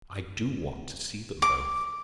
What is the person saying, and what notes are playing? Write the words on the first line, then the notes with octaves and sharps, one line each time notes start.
"I do want to see them both."
D6